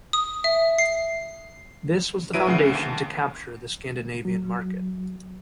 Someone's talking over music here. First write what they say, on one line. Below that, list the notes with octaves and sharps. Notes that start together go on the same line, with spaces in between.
This was the foundation to capture the Scandinavian market.
D#6
E5
C7
A#1 F#3 E4 B4 D7 D#7
D2 C#3 F#5 C7
D#2
F#3